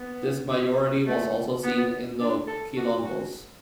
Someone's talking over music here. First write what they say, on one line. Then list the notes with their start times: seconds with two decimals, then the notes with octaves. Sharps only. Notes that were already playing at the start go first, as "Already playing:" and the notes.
This majority was also seen in the quilombos.
Already playing: B3
1.06 A3
1.63 B3
2.20 D4
2.47 A4
2.76 F#4
3.04 F#4